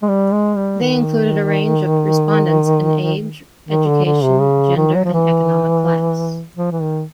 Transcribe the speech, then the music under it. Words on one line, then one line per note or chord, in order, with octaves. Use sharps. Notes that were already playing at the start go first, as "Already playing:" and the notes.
They included a range of respondents in age, education, gender, and economic class...
G#3
G3
G#3
G3
D#3
D#3
D3
D3
C3
C#3
D#3
F#3
F3
E3
F3
E3
D#3